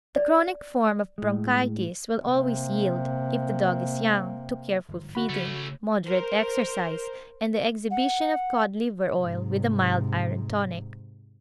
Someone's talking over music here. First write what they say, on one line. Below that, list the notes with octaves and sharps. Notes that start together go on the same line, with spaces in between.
The chronic form of bronchitis will always yield, if the dog is young, to careful feeding, moderate exercise, and the exhibition of cod-liver oil with a mild iron tonic.
D5
A2 G#3
C3 A#3
G1 G#2 F3
D3 B3 C4 F#4 B5
D2 C#3 A3 C#4
A#4 C5
F#5
G#2 C3